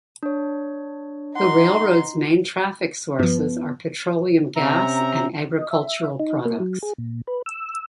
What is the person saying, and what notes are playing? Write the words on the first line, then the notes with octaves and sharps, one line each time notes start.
The railroad's main traffic sources are petroleum gas and agricultural products.
D4 C#5
D#4 F#5 C6
G2 F3 B3
C3 C#4 E5 A#5
D#5
E5
D#4
A#3
F#3
G#4
A#2
B4
E6